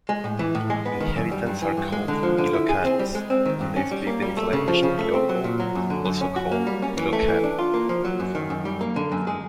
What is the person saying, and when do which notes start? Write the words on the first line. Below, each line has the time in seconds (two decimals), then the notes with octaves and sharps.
Inhabitants are called "Ilocanos" and they speak the language Iloko, also called "Ilocano".
0.09 G#3
0.24 A2
0.39 E3
0.55 A2
0.70 G#3
0.86 B3
1.00 D#3
1.16 F#2
1.32 G3
1.47 G2
1.62 E3
1.77 G2
1.92 G#3
2.08 D3
2.23 F3
2.38 D3
2.53 E4
2.69 G#4
2.85 C4
2.99 G3
3.15 G#3
3.30 C4
3.46 D#3
3.61 G2
3.76 C#4
3.91 G3
4.07 A#3
4.22 G3
4.37 A3
4.53 C#3
4.68 F3
4.83 C#3
4.99 A3
5.14 C4
5.29 F#3
5.44 A#2
5.60 F#3
5.75 F#2
5.90 D3
6.05 F#2
6.21 C#4
6.36 F#4
6.52 A#3
6.67 G3
6.82 C#4
6.97 E3
7.13 A3
7.28 E3
7.44 D4
7.59 F4
7.74 A#3
7.89 F3
8.05 F#3
8.20 F#2
8.35 D#3
8.50 F#2
8.65 G3
8.81 A#3
8.96 D3
9.12 F#2
9.27 G#3